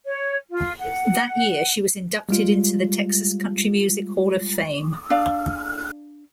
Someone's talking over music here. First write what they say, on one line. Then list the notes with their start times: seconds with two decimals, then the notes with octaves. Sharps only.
That year she was inducted into the Texas Country Music Hall of Fame.
0.06 C#5
0.51 F4
0.79 F#5
2.29 G3 G#3 F4
5.10 D4 D5 F5